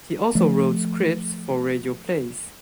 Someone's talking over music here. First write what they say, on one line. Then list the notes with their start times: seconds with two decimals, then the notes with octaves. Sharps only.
He also wrote scripts for radio plays.
0.35 F3 A3